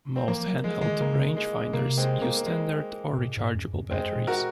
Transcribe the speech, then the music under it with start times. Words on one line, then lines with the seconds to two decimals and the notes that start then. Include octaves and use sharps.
Most handheld rangefinders use standard or rechargeable batteries.
0.16 C4
0.28 F3 A#3
0.46 F#3
0.64 F3 G#3
0.81 D#3 G#3
1.01 C#3 A#3
1.37 G#3
1.73 C3 A#3
1.97 G#3 C4
2.22 A#3
2.37 A#3
2.46 G#3
3.12 C3
3.18 A#2
3.37 G#2
3.55 F#2
3.73 F#2
3.91 F#2 G#3 C4
4.16 A#2
4.27 F#4 A#4